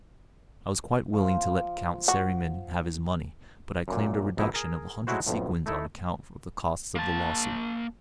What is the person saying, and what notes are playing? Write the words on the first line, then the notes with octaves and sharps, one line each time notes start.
I was quite willing to let Count Seriman have his money, but I claimed a reduction of a hundred sequins on account of the costs of the lawsuit.
F3
F#4
F#2 A#2
A#1 B2 D#4 E4
G#4 A#4
F#3 G#3 A3 E4 F#4 C5
B1 F2 A2
A3 D#4 E4 A4
A#3 A5